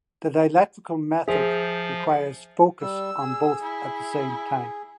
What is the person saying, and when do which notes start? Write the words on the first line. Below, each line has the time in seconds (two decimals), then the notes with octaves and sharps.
The dialectical method requires focus on both at the same time.
1.28 F3 G#4 C5 E5
2.81 G3 E6
3.20 G#4
3.62 E4